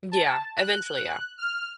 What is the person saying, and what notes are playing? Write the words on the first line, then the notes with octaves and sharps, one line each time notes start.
Yeah, eventually, yeah.
A5
F#6
F6